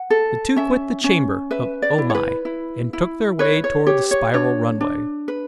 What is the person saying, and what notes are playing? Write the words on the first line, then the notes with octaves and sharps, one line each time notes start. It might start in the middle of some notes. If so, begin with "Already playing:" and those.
The two quit the chamber of O-Mai and took their way toward the spiral runway.
Already playing: F#5
A4
C#4 E5
C#4
B4 E5
D5
E4
C#5
B4
E4
E4
B4 C#5
C#5
G4 C#5
C#5
D4 C#5
D4
B4